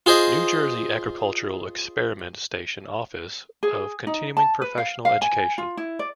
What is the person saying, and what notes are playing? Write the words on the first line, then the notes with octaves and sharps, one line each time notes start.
New Jersey Agricultural Experiment Station Office of Continuing Professional Education.
F4 G#4 C5 D#5
G#4
D#4
A5
B4
F5
F5
G#5
F4
E4
D5